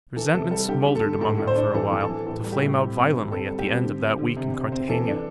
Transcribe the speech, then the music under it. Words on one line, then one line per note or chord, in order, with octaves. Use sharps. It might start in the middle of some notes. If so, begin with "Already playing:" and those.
Resentment smouldered amongst them for a while, to flame out violently at the end of that week in Cartagena.
E3 A4
C3 A4
G3 A4
D3 G4
D3
A4
D3
A2 A4
A2
C5
D4
E3 A4
E3
A4
E3
A2 A4
G3
G4
A2
C4
C4
D3
C4 A4
G3
G4
C4
D3
C4
D3
C3
C3
C4
E3 A4
D4